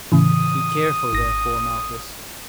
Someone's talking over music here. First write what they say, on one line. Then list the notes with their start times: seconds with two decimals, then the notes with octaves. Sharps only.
Be careful, therefore, Malchus.
0.12 A2 C#3 E3 D#6
1.13 G#1 A#6